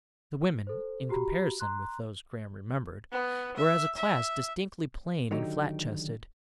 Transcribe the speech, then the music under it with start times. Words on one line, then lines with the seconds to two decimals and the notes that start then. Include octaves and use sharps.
The women, in comparison with those Graham remembered, were as a class distinctly plain and flat-chested.
0.67 A4 C5
1.09 F#4 G4 A#5 B5
1.60 A#5 C6 F#6
3.12 B3
3.56 E5
3.97 E5
5.31 D3 D#3 F#3 D#4 G4